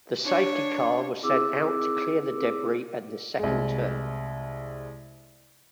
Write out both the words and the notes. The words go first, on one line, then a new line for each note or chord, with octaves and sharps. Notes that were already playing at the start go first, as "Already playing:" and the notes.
The safety car was sent out to clear the debris at the second turn.
D4 C#5
C4 E4 G#4 D6 E6
C2 G#3